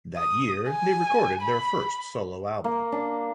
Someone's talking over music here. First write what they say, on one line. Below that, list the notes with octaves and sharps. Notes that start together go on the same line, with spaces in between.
That year, they recorded their first solo album.
D#6
G#5
B5
A#3
D4